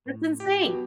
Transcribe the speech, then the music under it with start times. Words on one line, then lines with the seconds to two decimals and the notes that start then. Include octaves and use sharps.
That's insane.
0.06 A2
0.40 G4
0.65 B2 F#3